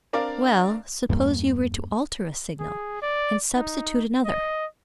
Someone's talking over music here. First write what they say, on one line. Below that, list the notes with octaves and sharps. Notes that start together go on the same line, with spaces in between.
"Well, suppose you were to alter a signal, and substitute another?"
C4 D4 A#4 D5 F5
E2 G2 G3 A#3
G#4
D5
D#4
D#5